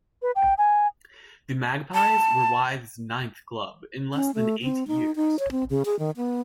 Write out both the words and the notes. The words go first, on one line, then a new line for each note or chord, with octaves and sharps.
The Magpies were Withe's ninth club in less than eight years.
B4
G5
G#5
A5
C#4
A3
C4
D#4
D#4
C#5
C4
C#3
G#4
D#3
B3